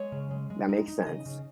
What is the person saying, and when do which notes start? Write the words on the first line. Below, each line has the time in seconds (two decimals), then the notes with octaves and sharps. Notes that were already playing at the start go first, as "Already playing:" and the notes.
That makes sense.
Already playing: G#3 C#5
0.12 C#3
0.31 G#3
0.50 G#3
0.69 D#4
0.88 D#4
1.06 C#3 D#5
1.26 C#3